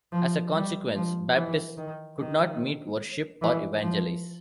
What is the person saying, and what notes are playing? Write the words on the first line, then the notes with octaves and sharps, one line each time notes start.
As a consequence, Baptists could not meet, worship or evangelize.
F3
G3
F3
E3
D#3
D#3
E3
F3